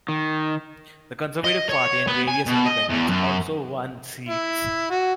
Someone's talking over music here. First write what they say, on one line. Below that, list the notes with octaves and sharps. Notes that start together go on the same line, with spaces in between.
The Conservative Party and various independents also won seats.
D#3
D#5
C#5
B3
G#5
B2
D#5
E2
F#2
E4
F#4